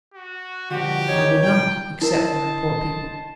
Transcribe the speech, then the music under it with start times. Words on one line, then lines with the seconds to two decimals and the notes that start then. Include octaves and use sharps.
"I would not--except for my poor people."
0.14 F#4
0.70 D3 F3 F#4 G4
1.08 E3 C#5 D#5
1.43 A#2 C#3 F#3 G5
2.02 E4 A#4 C5 D#5 A5